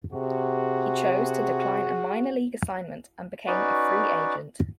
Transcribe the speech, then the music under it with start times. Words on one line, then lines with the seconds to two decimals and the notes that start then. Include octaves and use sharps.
He chose to decline a minor league assignment and became a free agent.
0.13 C3 F#4 G#4
3.47 C#4 D#4 F#4 B4 D5